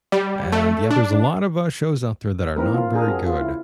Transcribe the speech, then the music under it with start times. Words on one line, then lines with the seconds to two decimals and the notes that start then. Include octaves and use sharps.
And, yeah, there's a lot of, uh, shows out there that are not very good,
0.12 G3
0.52 A3
0.91 D4
2.56 E3 A#3 C4 D#4 A#4 B4
2.74 A#3 F4
2.93 D4 F4 G#4 A#4
3.07 C4 F#4 G#4
3.26 F4
3.37 C#3 E4